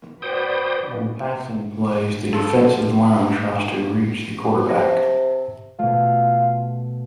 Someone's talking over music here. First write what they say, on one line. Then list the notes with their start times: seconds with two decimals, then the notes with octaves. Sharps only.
On passing plays, the defensive line tries to reach the quarterback.
0.22 F#4 B4 C5 D5 G5 D#6
2.33 G2 F3 A4
4.69 C3 A5 G#6 A#6
5.79 B2 A3 F4